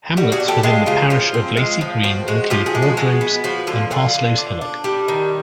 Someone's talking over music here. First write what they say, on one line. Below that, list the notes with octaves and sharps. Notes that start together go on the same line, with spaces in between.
Hamlets within the parish of Lacey Green include Wardrobes and Parslow's Hillock.
G3 F#4
F#4 G#4
D4
G4 A4
G#3 F4
C#3 F4
F3 F4
C4
G#3
F3
C4 F#4
G#3 F#4
F3 F4 G4
F#4 G#4
G#3
F#4
G#3
B3
F3 F#4
D3 F4
D3 F4
D3
D4
D4
G3
D#3